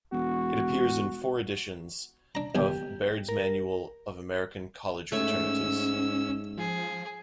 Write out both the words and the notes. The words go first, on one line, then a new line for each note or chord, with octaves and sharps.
It appears in four editions of "Baird's Manual of American College Fraternities".
E1 F#4
D4 A#5
B1 D#3 G4 G#5
A#4
G#2 A3 C#4 C#5 E6
F3 G#4